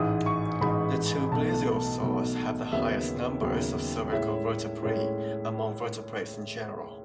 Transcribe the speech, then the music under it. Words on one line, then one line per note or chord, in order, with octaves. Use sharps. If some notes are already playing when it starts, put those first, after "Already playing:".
The two plesiosaurs have the highest numbers of cervical vertebrae among vertebrates in general.
Already playing: A1 G#2 E3 G#3 D#4 D#6
C#6
A1 G#2 E3 G#3 D#4 B5
B1 B2 A3 A5
B1 B2 A3
D#2 C#3 F#3 B3 E5
D#2 C#3 F#3 B3
A2 G#3 C#4 E4 E5
A2 G#3 C#4 E4